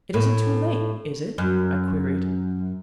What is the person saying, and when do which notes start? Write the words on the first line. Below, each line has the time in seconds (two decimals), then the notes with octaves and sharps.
"It isn't too late, is it?" I queried.
0.14 A2
1.38 F#2